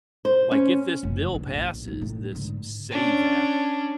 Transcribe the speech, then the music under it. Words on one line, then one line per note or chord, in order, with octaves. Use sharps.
Like, if this bill passes, this SAVE Act,
C5
C#4
F#1 F3
G2 D4
A#1
D#2 G#2
A2
G#2 D3
C#4 D4